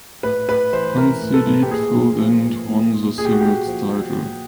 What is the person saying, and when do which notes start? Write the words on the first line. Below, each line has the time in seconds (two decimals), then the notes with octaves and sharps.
Unseeded Phil Dent won the singles title.
0.23 A2 B4
0.48 A2 B4
0.73 E3 C5
0.98 E3 A#4
1.22 A2
1.34 A4
1.46 A2
1.63 G4
1.71 A#2 G#4
1.95 A#2
2.19 F3
2.45 F3
2.68 A#2
2.93 A#2
3.18 A#2 G#4
3.25 G4
3.33 F#4
3.41 A#2 G4
3.67 F3
3.91 F3
4.15 A#2